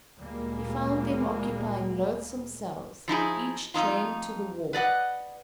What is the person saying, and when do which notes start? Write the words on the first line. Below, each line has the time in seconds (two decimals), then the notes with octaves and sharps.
He found them occupying loathsome cells, each chained to the wall.
0.17 D2 A#2 G3 G#3 A#3
3.08 F3 D#4 E4 G#4
3.74 F2 D#4 F4
4.73 B4 D5 D#5 F#5